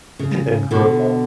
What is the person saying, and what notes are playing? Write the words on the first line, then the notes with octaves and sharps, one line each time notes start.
in growing up.
C#3
B2 D3